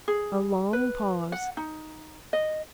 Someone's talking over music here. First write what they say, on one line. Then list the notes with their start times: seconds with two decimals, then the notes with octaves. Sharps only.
A long pause.
0.08 G#4
0.73 B4
1.32 F#5
1.57 D#4
2.33 D#5